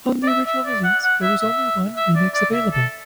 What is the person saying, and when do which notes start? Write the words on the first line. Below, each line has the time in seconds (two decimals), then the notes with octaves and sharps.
On the original release, there was only one remix available.
0.23 D5
0.28 E5
0.47 E5
0.66 D5
0.84 F#5
1.03 F#5
1.22 E5
1.41 E5
1.97 E5
2.16 D5
2.35 D5
2.53 E5
2.73 A4